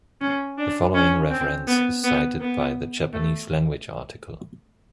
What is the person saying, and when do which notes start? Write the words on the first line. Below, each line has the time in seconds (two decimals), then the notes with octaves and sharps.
The following reference is cited by the Japanese-language article.
0.21 C#4
0.58 D4
0.95 C#4
1.31 C4
1.68 B3
2.04 B3
2.41 B3
3.13 A3